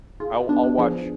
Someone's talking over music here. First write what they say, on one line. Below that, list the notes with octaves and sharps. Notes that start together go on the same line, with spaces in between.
I'll I'll watch
F4 G#4
B3 D4
D4
F3 G#4